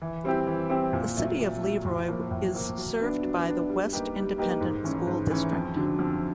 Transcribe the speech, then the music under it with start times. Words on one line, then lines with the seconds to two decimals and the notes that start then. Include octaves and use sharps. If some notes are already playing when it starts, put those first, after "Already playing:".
The City of Leroy is served by the West Independent School District.
0.02 E3
0.24 G3 C4 E4 G4
0.47 E3
0.69 G3 C4 E4 G4
0.93 A#2
1.17 F#3 A3
1.39 A#2
1.62 F#3 A3
1.85 A2
2.08 F3 A#3
2.31 A2
2.55 F3 A#3
2.78 F#3
3.00 B3 D4
3.22 F#3
3.46 B3 D4
3.69 G3
3.93 A#3 D#4 G4 B4
4.16 G3
4.38 A#3 D#4 G4 B4
4.61 G#2
4.84 E3 A3 C#4
5.07 G#2
5.30 E3 A3 C#4
5.53 F2
5.76 D3 F#3
5.99 F2